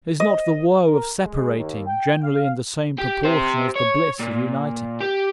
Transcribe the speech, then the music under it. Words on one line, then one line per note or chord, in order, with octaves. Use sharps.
Is not the woe of separating generally in the same proportion as the bliss of uniting?
D#5
A#4
G#3
D#2
G5
F5
G4
G4 C5
C#5
A#2
G4